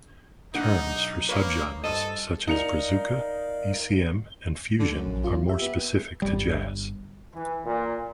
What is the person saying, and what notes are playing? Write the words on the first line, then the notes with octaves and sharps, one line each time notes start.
Terms for subgenres such as "brazuca", "ecm", and "fusion" are more specific to jazz.
B1 D4 D#4 F#5
A#3 B4 C#5 F5
G2 A4 C5 D#5
D#4 A#4 D5 F5 C#7 F7
D3
F#2
A#1
F4
G4 E5
B3
G1 G3
E3
A#2